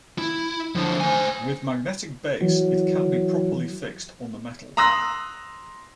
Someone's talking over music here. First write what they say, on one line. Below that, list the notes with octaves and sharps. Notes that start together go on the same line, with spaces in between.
With Magnetic Base it can be properly fixed on the metal.
E4
D3 F3
C5 G#5
E3 F#3
A#5 C6 D#6 E6 F#6 A#6